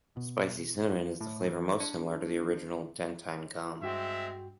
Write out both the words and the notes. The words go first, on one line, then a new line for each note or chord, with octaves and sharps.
Spicy Cinnamon is the flavor most similar to the original Dentyne Gum.
B2
A2
E3
D4
G2 G#3 C4 F#4 E5 G5